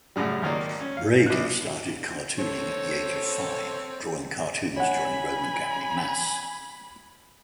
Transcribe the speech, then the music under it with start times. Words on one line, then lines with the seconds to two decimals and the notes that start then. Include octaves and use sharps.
Brady started cartooning at the age of five, drawing cartoons during Roman Catholic mass.
0.16 F#2 A2 C#3 G3
0.42 G#1 D#3 A#3 D5
0.81 C#4
0.97 F5
1.26 A#1 F#6
2.39 C4 A4 C#5
4.77 C#5 F#5 G#5 B5